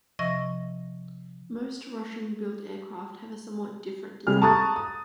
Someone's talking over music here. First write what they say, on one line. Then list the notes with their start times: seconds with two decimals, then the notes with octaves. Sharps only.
Most Russian-built aircraft have a somewhat different design.
0.19 C3 F3 D#5 E5 C#6 A#6
4.27 C3 G3 G#4 F6
4.42 A5 A#5 C#6 D#6 F#6 A6
4.76 D#6